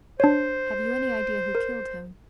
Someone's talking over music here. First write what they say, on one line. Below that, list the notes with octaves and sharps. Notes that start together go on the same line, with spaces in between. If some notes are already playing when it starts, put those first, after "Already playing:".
"Have you any idea who killed him?"
D4 C5 C#5
A#4